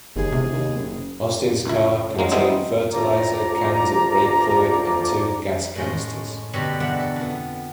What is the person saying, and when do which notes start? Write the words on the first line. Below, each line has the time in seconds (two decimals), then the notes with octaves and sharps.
Austin's car contained fertilizer, cans of brake fluid, and two gas canisters.
0.16 G1 D#2 G#4
0.32 E1 C3
0.53 D#2
0.76 F#1
1.66 C#2 E4
2.19 F#3 G#3 A#3
2.32 G3 G#3 B3 C4 D#4 E4
2.93 D2 F3 D5 A#5
5.75 A2 G#3 C#4
6.53 G2 B2 D3 G3 A4 C#5
6.80 E2 G2 D5 E5 F#5 B5
7.00 A4
7.16 F2 B3